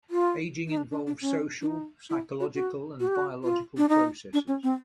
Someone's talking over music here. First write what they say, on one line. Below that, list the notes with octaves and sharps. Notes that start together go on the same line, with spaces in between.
Aging involves social, psychological, and biological processes.
F4
D#4
D4
D4
D4
C#4
D4
D#4
E4
F#4
F#4
F#4
G4
F#4
F4
D4
D#4
D4
C#4
C4